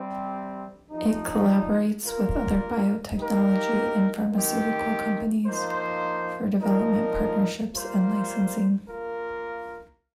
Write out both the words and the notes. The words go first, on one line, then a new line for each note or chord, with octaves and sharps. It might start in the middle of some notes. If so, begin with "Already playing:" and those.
It collaborates with other biotechnology and pharmaceutical companies, for development partnerships and licensing.
Already playing: C3 G3 C4
C3 F3 D#4
A#3 F4 A#4
A#3 D#4 G4 A#4
D#3 C4 G4
F3 A#3 D#4 C5
A#2 F3 D#4 A#4
G3 A#3 F4 C5
A#3 F4 A#4